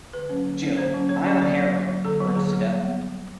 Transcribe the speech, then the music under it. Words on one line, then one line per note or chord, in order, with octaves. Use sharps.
Jill, high on heroin, burns to death.
D3 B4
F#3 A#3 C#4
D3
F#3 A#3 C#4
D3 C5
F#3 A#3 C#4
D3 C#5
F#3 A#3 C#4
D3 D5
F#3 A#3
D3
F#3 A#3
D3 A4
F#3 A#3
D3 G#4
F#3 A#3
G3
B3